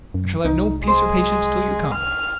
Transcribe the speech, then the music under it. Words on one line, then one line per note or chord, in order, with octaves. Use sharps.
I shall have no peace or patience till you come.
F#2
C2 D#4
G#3 C5
F6